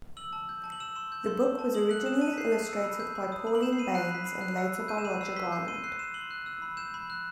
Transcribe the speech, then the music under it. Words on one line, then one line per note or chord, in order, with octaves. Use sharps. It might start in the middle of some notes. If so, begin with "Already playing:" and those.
The book was originally illustrated by Pauline Baynes and later by Roger Garland.
E6 F#7
A5
G6
A5
F#7
E6 E7
C6 E7
G6
C6
C6
A5
D#6 F#7
F#6 F#7
D#6 E7
A5 D#7
B6
G6 C7
A5
E6
B5
G6
B5
D#6
B5
F#7
G6 E7
C7
B5 D#7
F#6 C7
B5 B6
B5 C7
F#6
E6
B5
G6 D#7
E7
B5 D#7
E6 C7
C6 B6
G6 C7
C6 D#7
F#6 C7
C6 E7
C6 F#7
F#6
E6
B5
G6 E7
B5
F#6